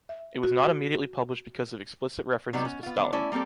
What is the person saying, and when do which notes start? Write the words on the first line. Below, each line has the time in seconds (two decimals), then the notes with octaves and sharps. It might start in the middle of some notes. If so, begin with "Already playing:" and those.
It was not immediately published because of explicit references to Stalin.
0.09 E5
0.43 F#4
2.53 C3 F#3 G3 B3 D#4 G4
2.65 C#4
2.83 B3 F4
2.96 D3
3.13 A3 C#4 E4 D5
3.32 G3 A#3 C4 G4 A4